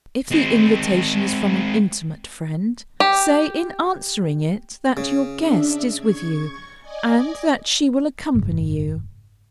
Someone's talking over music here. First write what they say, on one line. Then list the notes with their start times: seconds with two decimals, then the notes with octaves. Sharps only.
If the invitation is from an intimate friend, say, in answering it, that your guest is with you, and that she will accompany you.
0.31 G#3 C4
3.00 G4
4.97 C#3
5.37 D4 E5
5.99 C#6 G#6
6.81 D5 D#5 G#5
8.34 F#1 G#2 C#3